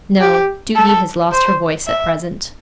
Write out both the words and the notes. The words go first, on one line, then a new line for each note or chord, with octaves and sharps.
'No, duty has lost her voice at present.'
G4
A4
C5
E5